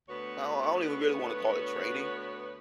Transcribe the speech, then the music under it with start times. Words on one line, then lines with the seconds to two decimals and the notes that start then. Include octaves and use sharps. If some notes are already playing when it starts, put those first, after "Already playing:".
I don't I don't even really wanna call it training,
0.09 D2 B3 F#4 B4 C#5